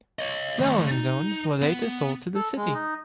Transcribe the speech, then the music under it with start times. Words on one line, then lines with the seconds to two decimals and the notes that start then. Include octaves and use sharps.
Snail and his owns were later sold to the city.
0.19 C#5 D#5
0.60 D#3 A3
0.92 D#4
1.62 B3
2.35 A4
2.57 G#3
2.74 D#4